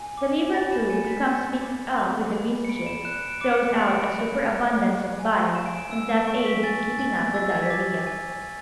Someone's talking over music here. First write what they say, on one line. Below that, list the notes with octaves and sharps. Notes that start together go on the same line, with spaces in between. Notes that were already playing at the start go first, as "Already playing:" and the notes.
The liver; too, becomes mixed up with the mischief, throws out a superabundance of bile, and thus aids in keeping up the diarrhoea.
Already playing: G#5
D6
B5 A6
E7
G#5 C#7
B6
G#5
D6
D6
B5
C#7
B5 D7
E7
F#6 E7
D7
D6 C#7
C#7
B5
D7
B5
F#6
C#6
G#5
G#5 E7
D7
E7
E6
C#6 D7
B6
G#5 A6
A6
G#5 A6
A6
E6 A6
A6
G#6
B6
D6 A6
G#5
G#5